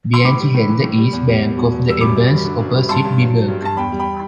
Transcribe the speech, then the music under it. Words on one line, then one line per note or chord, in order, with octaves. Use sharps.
Bianchi held the east bank of the Abens opposite Biburg.
C6
A2 B5 D6
G3
A2
E3
A2
G3
E2
G3
E2
B2
E2
G3 E6
F#2 B5 D6
G3
F#2
D3
F#2
G3
G2 A5 C6
G2
F#3
F#3
G2
G2 A5
E2 G5 B5
G3
G5 B5